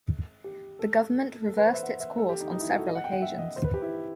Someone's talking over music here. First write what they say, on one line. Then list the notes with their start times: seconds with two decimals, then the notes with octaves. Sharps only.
The government reversed its course on several occasions.
0.44 G4
0.79 A4
1.48 A4
1.57 B4
1.65 C5
1.74 E5
1.83 F#5
2.00 E5
2.18 A4
2.29 G4
2.40 D#4
2.52 D#4
2.60 E4
2.69 F#4
2.78 A4
2.87 D#5
2.95 F#5
3.04 G5
3.12 F#5
3.22 E5
3.38 D#5
3.56 C5
3.65 B4
3.74 G4
3.82 E4